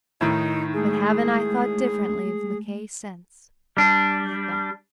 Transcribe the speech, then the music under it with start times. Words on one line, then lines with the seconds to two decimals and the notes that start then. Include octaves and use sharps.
But haven't I thought differently of Mackay since, my God...?
0.21 A2 D#3 D#4
0.74 G#3 A3 G#4
3.77 G3 D4